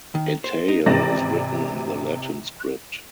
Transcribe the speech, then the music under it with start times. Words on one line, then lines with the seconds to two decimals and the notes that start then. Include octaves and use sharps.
Atayal is written in the Latin script.
0.15 D#3
0.44 C5
0.68 D#4
0.86 G#1 C3 E3 D5 A#6